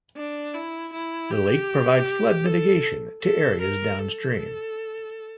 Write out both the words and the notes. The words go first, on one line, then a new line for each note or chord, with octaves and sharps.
The lake provides flood mitigation to areas downstream.
D4
E4
E4
G4
A4
A4
A#4
A4